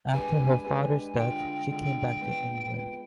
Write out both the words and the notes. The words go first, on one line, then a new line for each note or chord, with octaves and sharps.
After her father's death, she came back to England.
G#3 D4 G4 B4 G#5
G#3 D4 G4 B4
D3 G#3 D4 F4 G5
D3 G#3 D4 F4
G#3 B3 F4 B4
G#3 B3 F4 B4